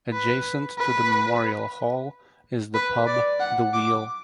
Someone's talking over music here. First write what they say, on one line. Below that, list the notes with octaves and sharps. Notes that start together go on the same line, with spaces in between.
Adjacent to the Memorial Hall is the pub The Wheel.
B4
B4
B4
D5
F#5
D6